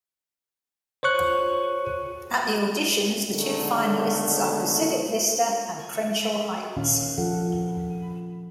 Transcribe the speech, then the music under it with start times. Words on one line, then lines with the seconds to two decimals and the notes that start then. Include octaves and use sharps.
At the auditions, the two finalists are Pacific Vista and Crenshaw Heights.
1.03 C5 C#5 C#6 F#6
3.30 B2 D3 D#3 F#3 G#3 A3
6.76 A#2 D#3 C#4 F5
7.18 F3 A4 F#5